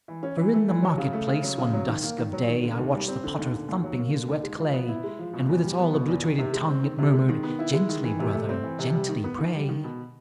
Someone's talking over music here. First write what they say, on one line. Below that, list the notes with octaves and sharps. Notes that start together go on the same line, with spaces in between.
For in the Market-place, one Dusk of Day, I watch'd the Potter thumping his wet Clay: And with its all obliterated Tongue It murmur'd--"Gently, Brother, gently, pray!"
E3
C#4
E3
A3
E3
F#3
C#3
A3
C#3
F#3
C#3
F#3
D#3
A#3
D#3
F#3
D#3
D3
D#2
G3
C4
D3
D#2
D3
D#2
F#3
A#3
D3
D#2
G#3
F3
B3
E4
G#3
F3
B2
E2
G3
B3
B2
E2
D#3
C3
G#3
C4
D#3
C3
G#3
D#3
B3
E4
G#3
D#3
E3
C3
A3
C4
E3
C3
G3
D#3
B3
D#3
G3
D#3
B2